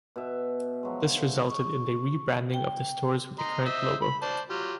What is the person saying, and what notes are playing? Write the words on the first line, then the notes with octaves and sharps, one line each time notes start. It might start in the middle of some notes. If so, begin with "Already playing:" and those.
This resulted in the re-branding of the stores with the current logo.
B2 E5
F3 F#3 G#3
C#6
G5
D#5 A#5 C6
C5 D#5 E5
B5
C5 D5 A5
F#3 F4 G4